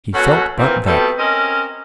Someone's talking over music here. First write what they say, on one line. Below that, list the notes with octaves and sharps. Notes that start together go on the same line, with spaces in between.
He felt but that.
F#2 B2 F#4 A4 C#5 F#5
A#2 E3 C4
B2 G3 A3 B3 C4 A4
C4 C#4 A#4 D#5